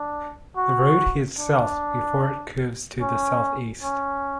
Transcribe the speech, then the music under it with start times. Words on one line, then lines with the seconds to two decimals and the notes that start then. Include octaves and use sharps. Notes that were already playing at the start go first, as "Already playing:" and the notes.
The road heads south before it curves to the southeast.
Already playing: D4
0.57 F#4
1.39 D4
3.01 C#4
3.83 C#4